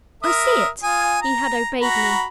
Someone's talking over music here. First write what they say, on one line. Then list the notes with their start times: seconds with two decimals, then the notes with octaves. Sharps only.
"I see it." He had obeyed me.
0.23 A#4 E5 D#6
0.83 F4 G#5 D#6
1.22 A#5
1.81 F#4 A#5 B5